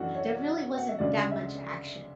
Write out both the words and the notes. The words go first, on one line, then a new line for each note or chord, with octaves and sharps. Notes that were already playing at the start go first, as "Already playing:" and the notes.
there really wasn't that much action.
Already playing: F#2 E3 A3 D4 F#4
C#5
F#5
E5
D2 C#3 G#3 D4 D5
E5